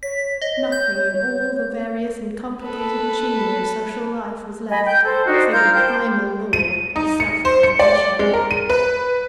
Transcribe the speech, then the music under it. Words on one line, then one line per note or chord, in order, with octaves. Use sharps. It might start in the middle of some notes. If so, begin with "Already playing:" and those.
Nothing in all the various and complicated machinery of social life was left save the primal law of self-preservation!
C#5 B6
C#5 D#5
G6
A4 B4
D#5 G#5 B5
G5 G6
A4 C5
D4 D#4 F#4 C5
F4 A#4 F6 G6
C5 G5 A5 G6
D#7
D#4
C#7
C5
C#7
D5
G#3
A#4
D#7
B4